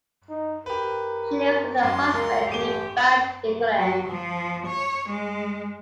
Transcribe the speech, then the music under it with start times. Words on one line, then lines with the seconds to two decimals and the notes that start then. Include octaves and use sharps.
She lives with her husband near Bath, England.
0.30 D#4
0.66 G4 A#4 B4
1.83 F#2 C6
2.14 C#2 A#4
2.50 A1 A3 G4 D#7 G7
3.76 F#3
4.09 F3
4.67 C#5
5.09 G#3